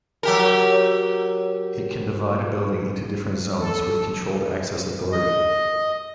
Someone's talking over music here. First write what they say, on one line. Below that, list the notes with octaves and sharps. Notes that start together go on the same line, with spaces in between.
It can divide a building into different zones with controlled access authority.
F#3 G4 A#4
A4
D#5